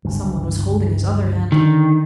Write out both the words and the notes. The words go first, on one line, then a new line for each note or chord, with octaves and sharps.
Someone was holding his other hand.
G1 C#2 G2
D3 D#3